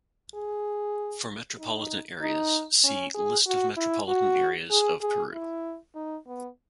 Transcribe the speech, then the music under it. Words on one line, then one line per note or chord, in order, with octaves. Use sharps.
For metropolitan areas see List of metropolitan areas of Peru.
G#4
D#4
D#4
C#4
G#4
F#4
E4
F#4
G#4
G#4
E4
D#4
B3